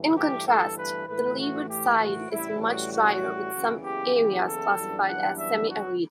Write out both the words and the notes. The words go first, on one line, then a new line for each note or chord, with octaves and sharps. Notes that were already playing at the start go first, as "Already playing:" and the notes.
In contrast, the leeward side is much drier with some areas classified as semi-arid.
Already playing: G1 G2 E3 A3
G4
A4
B4
A2 E3 A3 B4
F#4
G4
F#4
A1 A2 G3 E4
F#4
F#4
F#1 E2 C#3 E3
G4
G4
A4
F#2 E3 G3 B3 D4
F#5
E5
F#4